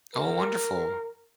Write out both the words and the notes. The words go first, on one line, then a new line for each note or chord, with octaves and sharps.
Oh, wonderful.
A#4